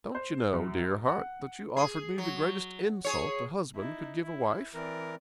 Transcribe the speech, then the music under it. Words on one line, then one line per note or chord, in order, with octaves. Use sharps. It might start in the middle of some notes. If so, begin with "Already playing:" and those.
Don't you know, dear heart, that you offered me the greatest insult a husband could give a wife?
C5
F#2
F#5
G#4
F#3
G#4 C#5
D#4 E4
E4
E3 C4 A#4 D5